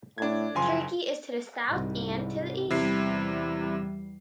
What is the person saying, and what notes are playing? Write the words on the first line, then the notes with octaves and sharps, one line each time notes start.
Turkey is to the south and to the east.
A2 D4 G#6
F#1 F3 G#5 C6
C2 G#2
E2 C3 G3 E4 C7